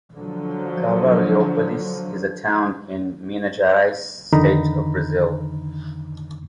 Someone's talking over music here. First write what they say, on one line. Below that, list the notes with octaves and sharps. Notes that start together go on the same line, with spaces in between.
Carvalhópolis is a town in Minas Geraes State of Brazil.
D3 F3 F#3
F2 D3 D#3 D#4 A#5 B5